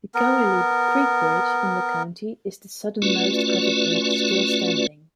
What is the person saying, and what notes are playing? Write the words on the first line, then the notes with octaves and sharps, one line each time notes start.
The Cohelee Creek Bridge in the county is the southernmost covered bridge still standing.
B3 A#4
A3 C#4 F4 F#4 B4 D5